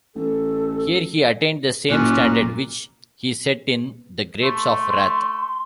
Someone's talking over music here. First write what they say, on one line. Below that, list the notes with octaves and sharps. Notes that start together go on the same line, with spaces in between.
Here he attained the same standard which he set in "The Grapes of Wrath".
A1 A4
F#1 A#2 C#4 B4
A3 C6